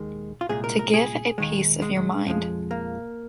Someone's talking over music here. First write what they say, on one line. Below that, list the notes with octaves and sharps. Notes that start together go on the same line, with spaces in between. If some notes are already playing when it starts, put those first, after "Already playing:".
To give a piece of your mind.
Already playing: D#2 D#3 G#3
F4
C2 A#2 G#3 G#4
A#4
A#4
G#4
D#2 D#3 G#3
G#3
G#3
F2 F3 G#3
A#3